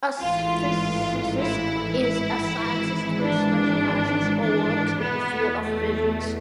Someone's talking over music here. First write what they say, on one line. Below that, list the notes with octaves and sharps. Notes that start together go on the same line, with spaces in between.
A physicist is a scientist who specializes or works in the field of physics.
A1 G#2 E3 F4
E4
E4
G#1 G#2 E3
D4
D4
E2 B2 B3
A3